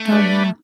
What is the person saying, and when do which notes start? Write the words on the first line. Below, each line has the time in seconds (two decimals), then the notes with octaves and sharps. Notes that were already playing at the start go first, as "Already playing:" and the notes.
Oh, yeah.
Already playing: A3
0.11 G3 D4 G4 B4 D5